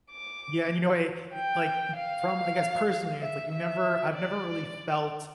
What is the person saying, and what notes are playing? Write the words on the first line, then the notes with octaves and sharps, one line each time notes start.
Yeah, and, you know, why I e like, from I guess, personally, it's like you never I've never really felt,
D6
G5
F5
E5
E5
D5